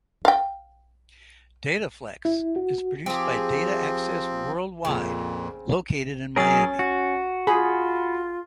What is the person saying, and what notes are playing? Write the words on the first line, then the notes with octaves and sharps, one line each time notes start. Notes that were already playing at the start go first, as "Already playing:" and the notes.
DataFlex is produced by Data Access Worldwide located in Miami.
F5 G5
E4
F#4
F3 C4 G4 G#4
F2 A#2 C#3 C4
F#3 C#4 G#4 A#4 A6
F#4
F4 G#4 B5